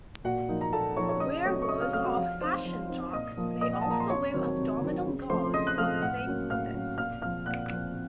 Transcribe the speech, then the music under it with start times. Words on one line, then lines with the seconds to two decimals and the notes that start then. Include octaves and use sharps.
Wearers of fashion jocks may also wear abdominal guards for the same purpose.
0.24 A#2 F#4 F#5
0.49 F3 A#3 D#4
0.61 A#5
0.73 A#2 A4 A5
0.96 F3 A#3 D#4 C#5 C#6
1.09 C#5 C#6
1.20 C#3 D#5 D#6
1.45 F#3 A3 C4 C#5 C#6
1.62 C#6
1.69 C#3 D#5 D#6
1.81 F5 F6
1.93 F#3 A3 C4 F5 F6
2.05 F#4 F#5
2.17 F3 F4 F5
2.41 C4 D#4 C5 C6
2.65 F3
2.89 C4 D#4
3.13 A#2 D#5 D#6
3.37 F3 A#3
3.61 A#2 D#5 D#6
3.73 F#5
3.81 A5
3.86 F3 A#3 A#5
4.00 C6
4.10 C3 C#5 C#6
4.34 D#3 F#3 C4
4.57 C3
4.81 D#3 F#3 C4
5.06 C#3
5.30 F3 A3 C4 C5 C6
5.54 C#3 D#5 D#6
5.67 F#6
5.78 F3 A3 C4 F5 F6
6.02 A2 F#5 F#6
6.26 F#3 A#3 C#4
6.50 A2 F5 F6
6.74 F#3 A#3 C#4
6.98 A#2 F5 F6
7.22 F3 C4 F5 F6
7.46 A#2 F#5 F#6
7.70 F3 C4